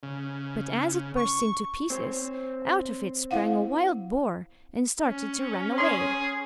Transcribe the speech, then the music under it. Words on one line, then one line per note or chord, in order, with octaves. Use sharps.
But as it burst into pieces, out of it sprang a wild boar, and started to run away.
C#3
C#6
C4 C5 C#5
E4 F5 F#5
C#4
G#4 C#5 C6